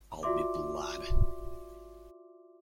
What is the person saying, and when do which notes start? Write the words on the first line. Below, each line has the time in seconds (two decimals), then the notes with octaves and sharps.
I'll be Blood.
0.23 F4 F#4 D5 E5 C6 D6